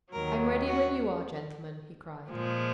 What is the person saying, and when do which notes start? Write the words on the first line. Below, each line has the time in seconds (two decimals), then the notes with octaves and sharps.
"I'm ready when you are, gentlemen," he cried.
0.12 D#2 D#3 F#3 A#4
0.67 F#4
2.30 A#2 F3 G#3